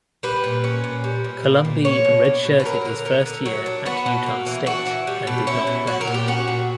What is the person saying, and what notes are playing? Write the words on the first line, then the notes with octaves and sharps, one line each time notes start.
Colombi redshirted his first year at Utah State and did not play.
G3 B4
A#2
C#4
A#2
G3
A#2
A#3
A#2
A#3 C#5
B2
D4
B2
B4
F#3 A#4
D3
B3 A#4
D3
F#3
D4
B3 F#4
B2
A#3
E3
D4 F#4
E3
G3
B2
C#4 E4
B2
F#3 F#4
A#4
A#2
G4
C#4 F#4
A#2